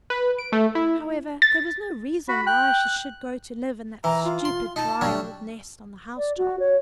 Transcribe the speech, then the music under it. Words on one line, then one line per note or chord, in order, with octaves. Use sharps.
However, there was no reason why she should go to live in that stupid, dry, old nest on the house-top.
B4
D7
A3
E4
A6
F#4 B5
G5 F#6
E3 A#5
F4
C6
D#4 A5
F#3 G3 D4
D5
F#4
C#5